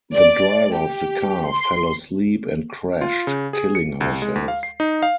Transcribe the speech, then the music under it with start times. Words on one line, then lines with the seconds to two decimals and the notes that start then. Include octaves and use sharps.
The driver of the car fell asleep and crashed, killing herself.
0.14 D5
0.74 G4
1.46 C6
3.01 F4
3.27 C#3
3.53 G#4
3.75 C#7
4.01 C2
4.22 G#3
4.35 D2
4.48 F5
4.63 C7
4.80 D#4
5.03 F5